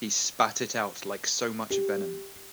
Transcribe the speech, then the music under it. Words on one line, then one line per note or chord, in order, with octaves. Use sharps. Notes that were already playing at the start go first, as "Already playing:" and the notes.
He spat it out like so much venom.
G4